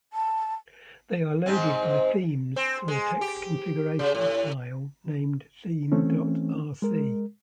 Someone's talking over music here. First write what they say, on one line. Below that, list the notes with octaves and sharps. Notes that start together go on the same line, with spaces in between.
They are loaded by themes through a text configuration file named theme.rc.
A5
G#2 C4
C4
G#3
G4
C#3
A2
E3 A3 C4 C#4
G#3 A#4